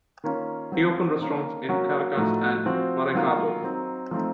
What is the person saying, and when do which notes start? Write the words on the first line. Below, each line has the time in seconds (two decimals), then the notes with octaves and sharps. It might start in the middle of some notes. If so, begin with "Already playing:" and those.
He opened restaurants in Caracas and Maracaibo.
0.24 D#3 A#3 C#4 F4
0.72 F#3 C4 F4
1.21 D#3 A#3 C#4
1.69 F#3 A#3 C#4 F#4
2.17 A2 F3 A3 D#4 F#4
2.66 F3 C4 F#4
3.15 D#3 F#3 A#3 F4
3.62 F#3 C4 D#4
4.11 F3 A3 C4 D#4